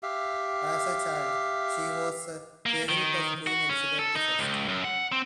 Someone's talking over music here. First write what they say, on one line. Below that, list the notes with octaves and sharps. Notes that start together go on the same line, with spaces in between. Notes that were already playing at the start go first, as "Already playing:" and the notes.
As a child she was a favourite of Queen Elizabeth the First.
G4 E5 F5
A#3
D#3
F#4
C#4
A4
D#4
C#2
F#2
F#5
C4